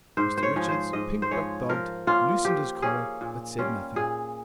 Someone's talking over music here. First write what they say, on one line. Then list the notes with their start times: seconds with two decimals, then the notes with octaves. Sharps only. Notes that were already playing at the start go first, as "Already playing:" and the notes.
Mr Richards, pink but dogged, loosened his collar, but said nothing.
0.17 G#2 C5
0.37 C5
0.43 C#5
0.56 F3 G#3
0.69 C5
0.93 G#2 D#5
1.22 C5
1.31 F3 G#3 C#5
1.69 F3 A#4
2.07 A#3 C#4 F4
2.45 F3 G4
2.82 A#3 C#4 G#4
3.21 A#2
3.59 G3 C#4 F4
3.96 A#2 G#4